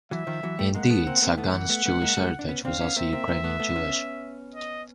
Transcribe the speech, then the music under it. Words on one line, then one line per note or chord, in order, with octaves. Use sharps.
Indeed, Sagan's Jewish heritage was also Ukrainian Jewish.
E3 F#3 E5
D#3 F3
E3 F#3
G3 A3
G#3 A#3 F#5
A3 B3
A#3 C4
A#3 C4
A3 B3 F#5
E3 F#3
A3 B3
A3 B3
G#3 A#3
G3 A3
D4
B3 C#4
C4 D4 F5
B3 C#4
A#3 C4 E5
A#3 C4
A#3 C4
A3 B3
A3 B3
B3 C#4
D#5